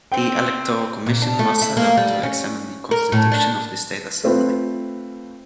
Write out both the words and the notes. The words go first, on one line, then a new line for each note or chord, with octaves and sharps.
The Electoral Commission was set up to examine the constitution of the States Assembly.
C4 G5
A#2
D4
A3
E4
A#3
G3
C#4
A#4
A2
D4
A3 C4 F4 B4